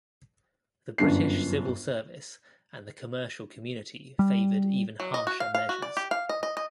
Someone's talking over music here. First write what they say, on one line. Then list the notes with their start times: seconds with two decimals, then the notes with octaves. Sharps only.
The British civil service and the commercial community favoured even harsher measures.
0.98 G1 F#2 D4 C7
4.19 G3
5.00 F#3
5.14 D#5
5.27 F#4
5.40 F5
5.55 F5
5.69 F#4
5.82 D5
5.97 G4
6.11 F5
6.29 D#5
6.43 D#5
6.57 D#5